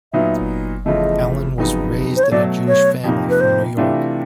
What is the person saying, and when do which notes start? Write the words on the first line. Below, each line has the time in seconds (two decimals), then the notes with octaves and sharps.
Ellin was raised in a Jewish family from New York.
0.13 A#2 F#3 B3 D#4 E5
0.86 E2 C#3 F3 A3 D#5
1.58 F2 C#3 F#3 B3 D#4
2.16 C5
2.23 C#5
2.31 B2 F#3 A3 D5
2.68 C#5
3.04 F2 C3 F3 A#3 D#4
3.30 B4
3.41 C5
3.77 C3 E3 A3 D4 F4